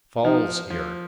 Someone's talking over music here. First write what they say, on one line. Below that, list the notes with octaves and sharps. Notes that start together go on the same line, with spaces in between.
Fall's here.
F3 D#4
F3